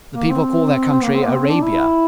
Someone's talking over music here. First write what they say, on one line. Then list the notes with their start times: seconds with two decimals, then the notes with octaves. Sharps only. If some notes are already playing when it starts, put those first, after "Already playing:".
The people call their country Arabia.
0.15 A#3
0.29 C4
1.04 A#3
1.14 C4
1.23 A#3
1.33 C4
1.48 D4
1.63 E4